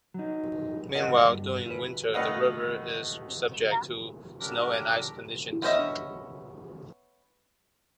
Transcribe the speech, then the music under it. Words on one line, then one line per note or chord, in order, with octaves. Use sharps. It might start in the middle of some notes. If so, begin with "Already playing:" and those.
Meanwhile, during winter, the river is subject to snow and ice conditions.
F#3 D#4
G#4 A#4 D#5 F#5
G2
F4 B4
D#3 A3 B4 D#5 F5 F#5
C#3 F#3 G3 D4 G4 A#4
B3 C#4 C5 D#5 E5